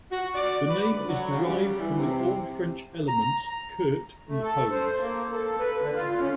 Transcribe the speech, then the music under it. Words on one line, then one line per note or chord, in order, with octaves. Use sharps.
The name is derived from the Old French elements "curt" and "hose".
F#4
D5
B4
D2
F#3
C#3
G3
E3
C3
A#5
A3
A4
C5
A#3
A4
B4
D3
F4
C#4